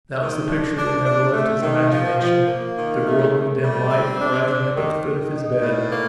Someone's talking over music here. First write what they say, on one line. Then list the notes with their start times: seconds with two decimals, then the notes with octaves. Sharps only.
That was the picture that never left his imagination--the girl, in the dim light, rising up at the foot of his bed.
0.20 D#3
0.48 D4
0.78 D4
1.05 D4
1.34 A3
1.62 D#3
1.92 F3
2.20 F3
2.48 A#3
2.76 D#3
3.05 A3
3.33 A3
3.63 G3
3.91 C4
4.20 D4
4.48 D4
4.76 D#3
5.04 D#3
5.34 D#4
5.62 A2
5.91 A#3